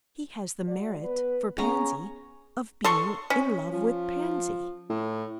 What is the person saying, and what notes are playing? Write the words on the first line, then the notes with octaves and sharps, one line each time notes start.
He has the merit--for Pansy--of being in love with Pansy.
G#3 F#4 D5
B3 B4
B3 C#4 G#4 A#5
A4 C6 C#6
C#4
F3
A2